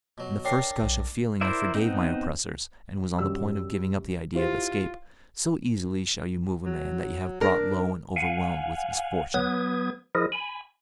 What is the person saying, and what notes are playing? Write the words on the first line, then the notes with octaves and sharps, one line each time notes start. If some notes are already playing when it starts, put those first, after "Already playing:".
In the first gush of feeling I forgave my oppressors, and was on the point of giving up the idea of escape; so easily shall you move a man that you have brought low and overwhelmed with misfortune.
B2 F#3
D4 A#4 C#5 G5 C7
B1
E4 A#4 C5 D5 E5
B3 C4 D#4
F#2 G3 E6
E4 F4 G4 C5
F#3
D4 A#4
F5 F#5 G#5
F#3 B3 B4 D#6 G#6
F3 E4 G#4 A#4 D#5
G#5 B5